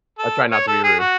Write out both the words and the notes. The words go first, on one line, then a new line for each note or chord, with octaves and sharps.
I try not to be rude.
A4
C#5
A4
G#4
F#4